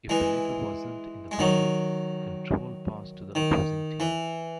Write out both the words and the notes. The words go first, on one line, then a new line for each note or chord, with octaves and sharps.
If the letter wasn't in the puzzle, control passed to the opposing team.
E3 G#3
G#3
D#3 F#3
D#3
E3